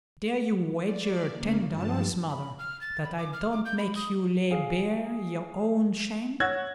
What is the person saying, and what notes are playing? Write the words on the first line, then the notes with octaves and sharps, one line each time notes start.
'Dare you wager ten dollars, mother, that I don't make you lay bare your own shame?'
D5
C#3 A#3
G2 F3 A5
B5
F6
A6
B5
D6
F6
D6
G6
B5
D#6
G#4 F5
C#5 F#5 E6 F#6 G#6 A#6